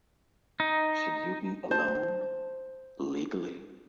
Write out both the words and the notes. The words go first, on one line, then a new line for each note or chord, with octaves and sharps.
Should you be alone? Legally?
D#4
C5 A5